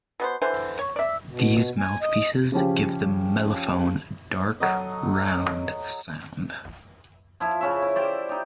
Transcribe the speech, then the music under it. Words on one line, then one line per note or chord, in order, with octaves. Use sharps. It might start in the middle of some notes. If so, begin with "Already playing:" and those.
These mouthpieces give the mellophone a dark, round sound.
B2 B3 C5
D3 E3 C5
C#5
D5 E5
B2
G#5
D#5
C#3 F3 C#4 G4
F#3 A4 D#5
F3 E4
C#3 C#4 E5
E4
G4 C5 D5
D#4 G4